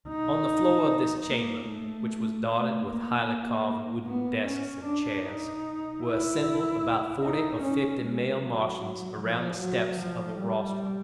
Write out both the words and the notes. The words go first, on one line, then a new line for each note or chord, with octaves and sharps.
On the floor of this chamber, which was dotted with highly carved wooden desks and chairs, were assembled about forty or fifty male Martians around the steps of a rostrum.
D#4
A#3
A3
A3
A#3
B3
C#4
D4
D#4
E4
D#4
C#4
G#3
F#3
F3
F#3
F3
G3